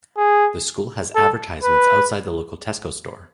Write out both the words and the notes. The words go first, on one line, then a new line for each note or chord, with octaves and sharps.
The school has advertisements outside the local Tesco store.
G#4
A4
B4